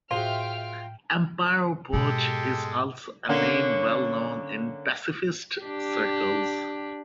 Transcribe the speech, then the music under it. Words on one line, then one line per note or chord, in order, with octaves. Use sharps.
Amparo Poch is also a name well known in pacifist circles.
A2 F4 F#4 G#4 C5 E5 G5 F6
G#2 B2 G#3 G4 A4
D3 A#3 C#4
D4 G4